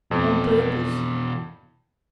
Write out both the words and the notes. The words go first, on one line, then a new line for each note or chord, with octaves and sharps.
On purpose.
F2 B2 E3